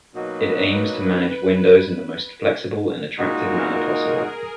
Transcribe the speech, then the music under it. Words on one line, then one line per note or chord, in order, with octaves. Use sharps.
It aims to manage windows in the most flexible and attractive manner possible.
B2 F#3 A#3 D#4 F#4 B4
A#2 G#3 D#4 F#4 A#4
G#4